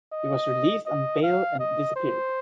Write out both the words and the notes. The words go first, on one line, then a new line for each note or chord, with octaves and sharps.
He was released on bail and disappeared.
D#5
D#5
F5
D#5
C5